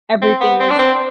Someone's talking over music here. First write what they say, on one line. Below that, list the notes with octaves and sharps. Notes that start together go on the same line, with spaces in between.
everything is
C4
B3
C4
D4
C4